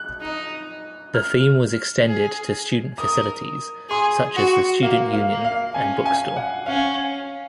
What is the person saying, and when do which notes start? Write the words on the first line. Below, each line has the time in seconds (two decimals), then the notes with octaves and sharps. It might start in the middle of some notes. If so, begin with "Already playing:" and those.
The theme was extended to student facilities such as the student union and bookstore.
Already playing: F#6
0.21 D#4
1.14 F6
2.06 G#4
2.98 A#4 D#6
3.90 G#4 C6
4.36 F#4
4.82 A#3 F5
5.13 F5
5.29 A#3
5.44 F5
5.74 C#4 G#5
6.06 G#5
6.36 F#5
6.66 C#4 F5